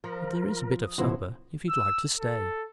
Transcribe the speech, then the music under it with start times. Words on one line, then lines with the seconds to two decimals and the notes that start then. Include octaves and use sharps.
But there is a bit of supper, if you like to stay.
0.04 F3 A#4
0.82 D#6
0.98 A2 C#3 F3 B3 E4 F#4 B4 C5
1.70 E6
2.19 A4